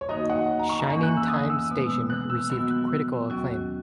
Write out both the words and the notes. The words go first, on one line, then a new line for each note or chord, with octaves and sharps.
"Shining Time Station" received critical acclaim.
C#5
F#2 D#3 A#3 D#4 F#4 D#5
F#5
A#5
C#6
A#5
G#2 E3 A#3 C#4 G#5
F#6
E6
D#6
E6
B2 G#3 B3
F#6
E6
D#3 F#3 B3 F#4 E6
F#6
D#2 D#3 F#3 C#4 F#4